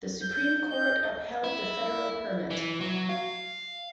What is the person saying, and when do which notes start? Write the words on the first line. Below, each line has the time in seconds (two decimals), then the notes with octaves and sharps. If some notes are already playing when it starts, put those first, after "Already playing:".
The Supreme Court upheld the federal permit.
0.22 G6
0.69 D#5 G6
1.44 E4
2.51 E3
2.81 F#3
3.09 F5